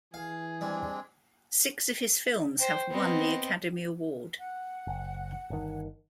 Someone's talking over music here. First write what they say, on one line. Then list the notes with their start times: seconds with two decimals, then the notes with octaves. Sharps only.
Six of his films have won the Academy Award.
0.14 E3 G#4 F5
0.61 G3 G#3 C4 D4
2.59 C5 G5
2.91 B3 C4 D#5
4.38 F#5
4.87 F#1
5.50 G1 D#3